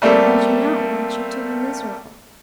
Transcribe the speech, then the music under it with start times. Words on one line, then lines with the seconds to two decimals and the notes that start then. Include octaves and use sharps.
And I do not want you to be miserable.
0.02 G3 A3 A#3 C4 A4